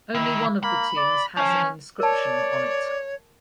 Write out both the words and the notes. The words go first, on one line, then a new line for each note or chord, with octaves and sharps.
Only one of the tombs has an inscription on it.
D#3 E4
A#3 B5
D5
F3 C#4
A#4 C#5 D5 A5